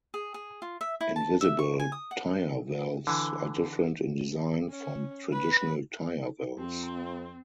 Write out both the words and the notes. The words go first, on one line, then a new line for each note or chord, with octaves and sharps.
Invisible tire valves are different in design from traditional tire valves.
G#4
G#4
F4
E5
E4
A5
E5
C#6
G#5
D#6
F#5
D3 E3
C#4
B4
F2 C4